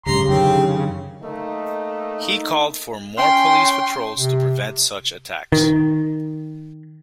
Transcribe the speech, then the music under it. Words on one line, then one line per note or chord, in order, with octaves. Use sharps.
He called for more police patrols to prevent such attacks.
D1 G2 C#3 G#3 G4 A#5 C6
F#2 D3 D#3 C4
A3 A#3 D#4
C#4 G5 C6
C3
D#3